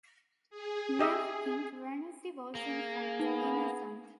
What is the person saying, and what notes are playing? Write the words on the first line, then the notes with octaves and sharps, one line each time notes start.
Many think Ranucci was in fact innocent.
G#4
G4 D#5 E5
A#3 G#4
B3 D#4